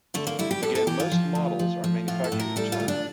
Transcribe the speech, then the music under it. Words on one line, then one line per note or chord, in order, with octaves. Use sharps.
Again, most models are manufactured in China.
D3 A3
A#3
G3 E4
G4
A2 A4
A4
E3 G4
F4
F3
D2
F3
F3
A2 F4
A4
A2
A#4
G3 A4
F4
D2
D4